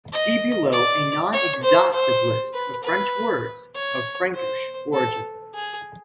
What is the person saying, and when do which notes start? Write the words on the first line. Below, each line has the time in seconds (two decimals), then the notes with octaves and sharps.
See below a non-exhaustive list of French words of Frankish origin.
0.12 D#5
0.72 D5
1.33 C#5
1.63 C5
1.93 C5
2.53 B4
2.83 B4
3.74 C#5
4.34 C5
4.93 A4
5.55 G#4